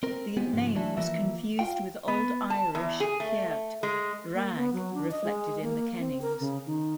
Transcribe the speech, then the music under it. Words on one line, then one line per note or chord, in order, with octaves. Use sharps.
The name was confused with Old Irish "ceirt" 'rag', reflected in the kennings.
C4 A#4
B3 C4 G4 G#4
G#2 C#3 F3
E3 A3 D4 E4 A4
E3 F3 A#3 E5
F4 F5 G5
B3
A5
E2
G#4
A3
G#3
A#3
B3
F#3
D4
D#5
G#3
A#3
C4
A#4
C#3
D#3